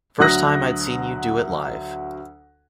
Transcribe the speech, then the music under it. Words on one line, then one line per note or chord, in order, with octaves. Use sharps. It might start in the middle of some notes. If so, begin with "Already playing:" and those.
First time I'd seen you do it live.
D2 F#3 F#5 D#6 F#6 A#6